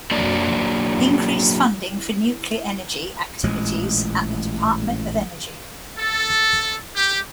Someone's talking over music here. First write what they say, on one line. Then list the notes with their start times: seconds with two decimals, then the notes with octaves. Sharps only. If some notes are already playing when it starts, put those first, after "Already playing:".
Increase funding for nuclear energy activities at the Department of Energy.
0.11 F#3 A#3 D4 D5
3.43 A1 A#2 G#3
5.98 A4
6.95 G4